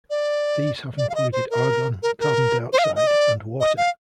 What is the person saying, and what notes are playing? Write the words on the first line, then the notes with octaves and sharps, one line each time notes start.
These have included argon, carbon dioxide, and water.
D5
D5
F5
D#5
C5
A#4
A#4
A#4
C5
F5
D#5
D#5
D5
D#5
F5